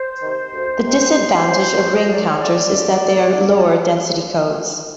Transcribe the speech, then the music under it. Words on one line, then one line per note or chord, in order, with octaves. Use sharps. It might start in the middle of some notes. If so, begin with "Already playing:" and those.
The disadvantage of ring counters is that they are lower density codes.
Already playing: C5
C3 D#3
D2
C3 D#3
G2
D#3 F#3
G2 C#5
D#5
D#3 F#3 D5
C#5
A2 D5
F3 G#3
A2